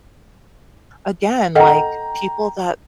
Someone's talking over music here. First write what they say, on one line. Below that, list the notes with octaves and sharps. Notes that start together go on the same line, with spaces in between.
Again, like, people that
A4 D#5 F#5 G5 A#5